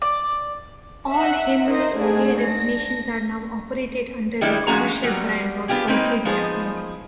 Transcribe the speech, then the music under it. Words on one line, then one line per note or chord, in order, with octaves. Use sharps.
All Hemus Air destinations are now operated under the commercial brand of Bulgaria Air.
D5
E5 F#5
D#4 A#4 C5 D#5
G#2 A3 D4 G#4
D4 A#6
D#3 G3 G#3 D4 E4
F3 G#3 C#4 F#4 G#4 A#5
F#3 G3 B3 A#4
B3 D4 F4 G4 G#4
G#3 A#3 C4 D#4 A#4 B4
F3 B3 D#4 G#4 C5